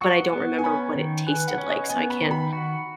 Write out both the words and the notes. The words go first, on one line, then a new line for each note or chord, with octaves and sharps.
but I don't remember what it tasted like, so I can't
F#4 C#6
B3
G#5
C#4 B5
D#3
B4 G#5
F#5
C#4
D#5
B3 G#5
B5
D#3
B5
F#4